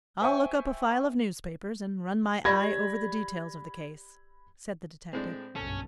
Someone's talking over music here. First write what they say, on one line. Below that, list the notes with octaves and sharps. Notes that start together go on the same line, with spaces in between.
"I'll look up a file of newspapers, and run my eye over the details of the case," said the detective.
C5 E5 G5 G#5 C#6
G4 D5 G#5 B5 G#6 A#6
A2 G#3 C4 D4
F#1 B1 G2 C#4 A4